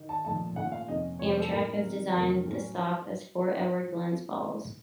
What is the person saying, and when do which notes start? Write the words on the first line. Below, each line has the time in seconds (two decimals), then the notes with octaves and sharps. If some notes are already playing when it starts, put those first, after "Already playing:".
Amtrak has designated the stop as Fort Edward-Glens Falls.
Already playing: D#3
0.09 A5
0.24 A#2 F3 A3 D#4 A5
0.56 A#2 A3 C#4 F4 F#5
0.72 F5
0.88 F2 C3 F3 A#3 C#4 D#5
1.19 F2 C3 F3 C#5
1.30 C5
1.40 A4
1.51 A2 F#3 A3 D#4 A#4
1.83 D#3 F#3 C4
2.15 F2 C3 F#3 A3 A#4
2.46 A2 F#3 A3 C#4